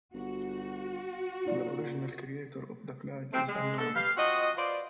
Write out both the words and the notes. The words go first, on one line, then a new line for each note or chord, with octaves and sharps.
The original creator of the flag is unknown.
G1 F#4
A#2 D#4 F4 D5
A3 C4
G#3
D3 G#3 A4
G4 B4 F5
F3 C4 F#4 D#5
F4 B4 C5 D5